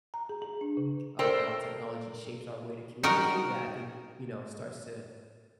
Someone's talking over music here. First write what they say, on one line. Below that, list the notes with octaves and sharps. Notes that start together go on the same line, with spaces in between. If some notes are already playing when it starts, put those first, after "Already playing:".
of how technology shapes our way to communicate that I think, you know, starts to
A#5
G#4
G#4
D4
C#3
A4 A#4 C5 D5 G5
D#4 F#4 A#4 G5